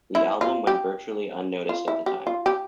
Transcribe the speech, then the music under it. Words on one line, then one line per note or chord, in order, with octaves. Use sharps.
The album went virtually unnoticed at the time.
E4
F4
G4
F4
E4
G4
F4
G4